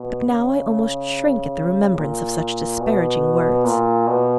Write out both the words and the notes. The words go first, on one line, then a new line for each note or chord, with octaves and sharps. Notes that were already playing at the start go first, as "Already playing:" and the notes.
But now I almost shrink at the remembrance of such disparaging words.
Already playing: B2
C#3
A#2
B2
A#2
B2